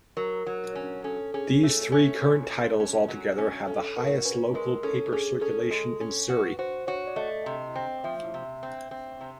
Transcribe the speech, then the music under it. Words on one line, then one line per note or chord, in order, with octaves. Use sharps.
These three current titles, altogether, have the highest local paper circulation in Surrey.
F#3 A#4
F#3
C#4
C#4 A4
C#4 G#4
A3 A4
C#4
A#2
A#2
C#4
F#3
C#4
C#4 A4
F#4 A#4
C#4 B4
G#3 A#4
C#4 A4
C#4 G#4
C#4 A4
G#3
C#4
F#4 B4
F#4 C5
F#4 C#5
D5
A3 D#5
C3
C4
F3 E5
C3
C4
C4
C3